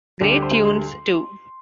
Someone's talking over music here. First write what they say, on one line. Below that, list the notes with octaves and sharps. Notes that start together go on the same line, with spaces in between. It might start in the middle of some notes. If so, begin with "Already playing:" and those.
Great tunes too.
D2 D3 G3 G4
G4
C5
C6
C6